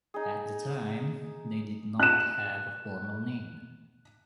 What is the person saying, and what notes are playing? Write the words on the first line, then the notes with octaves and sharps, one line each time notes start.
At the time, they did not have a formal name.
D#4 G#4
F#6 E7